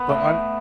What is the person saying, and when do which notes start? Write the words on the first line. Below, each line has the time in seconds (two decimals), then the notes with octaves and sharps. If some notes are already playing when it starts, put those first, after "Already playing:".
But hone
Already playing: B3
0.09 A3